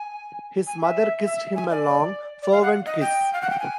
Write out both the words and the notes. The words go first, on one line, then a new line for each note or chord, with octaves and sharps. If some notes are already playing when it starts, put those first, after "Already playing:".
His mother kissed him a long, fervent kiss.
Already playing: G#5
G#5
E5
E5
G#5
D5
D5
F5
F#5
D#5
G5
F5
F#5
G5
G#5